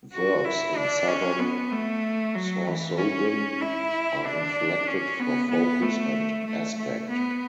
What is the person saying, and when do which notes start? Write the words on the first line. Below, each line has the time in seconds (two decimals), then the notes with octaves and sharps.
Verbs in Southern Sorsogon are inflected for focus and aspect.
0.13 F#4
0.45 E4
0.76 D4
1.08 C#4
1.39 B3
1.72 A3
2.35 F#3
2.66 E3
2.98 C#4
3.61 E4
4.25 D4
4.87 C#4
5.19 B3
5.51 B3
5.82 A3
6.46 A3
6.77 A3
7.09 B3